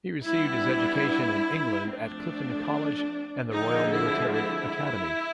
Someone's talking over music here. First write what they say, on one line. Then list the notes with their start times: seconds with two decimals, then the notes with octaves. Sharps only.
He received his education in England at Clifton College and the Royal Military Academy.
0.24 G3 B3 D4 E4
1.88 F3 A3 C4 D4
3.51 D3 F3 G#3 C4 D#4
3.92 E4
4.33 E4